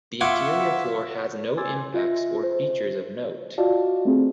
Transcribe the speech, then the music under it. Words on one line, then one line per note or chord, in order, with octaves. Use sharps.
The interior floor has no impacts or features of note.
E4 F4 E5 F#5 C#6 D6 G#6
G#5 C6 D6 E6 G#6 A6
F4 D#5 E5 A#6
C5
F4 F#4 D5 D#5 F5 A5
A3 C4 G#4